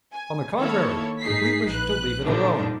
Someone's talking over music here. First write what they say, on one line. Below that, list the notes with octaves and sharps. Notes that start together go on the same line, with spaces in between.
On the contrary, we wished to leave it alone.
G#5
D#3 A#3 E4 A4 C#5
G#2 D#4 G#4 B6 C7
A#1 B4 F#6
A#2 D3 F3 G3 D4 D#4